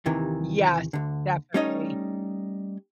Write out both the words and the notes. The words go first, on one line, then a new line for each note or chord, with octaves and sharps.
Yes. Definitely.
D#2 C3 D#3 E3
D2 D3
G3 A3 C#4 D#4 C#5 D#5